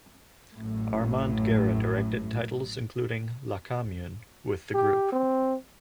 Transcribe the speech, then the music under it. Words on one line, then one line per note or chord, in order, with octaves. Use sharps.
Armand Guerra directed titles including "La Commune" with the group.
A1 F#2 A2
G4
C4